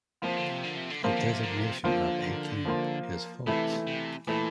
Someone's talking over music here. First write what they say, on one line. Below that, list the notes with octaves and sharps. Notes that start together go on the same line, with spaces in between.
The designation of "a camp" is false.
C3 F3 A#3 F4
D3
C3
D3
C3
D3
C3 F3 A#3 F4
D3
C3
D3
C3
D3 F3 A#3 F4
F3 A#3 F4
C3 E3 A3 E4
C3
A#2 E3 A3 E4